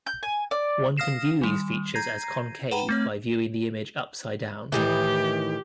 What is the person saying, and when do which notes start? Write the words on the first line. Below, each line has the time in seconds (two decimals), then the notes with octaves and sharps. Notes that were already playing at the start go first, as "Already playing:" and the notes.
One can view these features as concave by viewing the image upside-down.
0.06 G6
0.23 G#5
0.51 D5
0.97 F5 D#6 F6 A#6 C7 E7
1.41 D#3 G3
1.94 A#5 G6 G#6 A#6 C7 D#7
2.71 B4 F#5 G5 A#5 B5
2.89 A3 C4 C#5
4.72 A2 D#3 E3 G4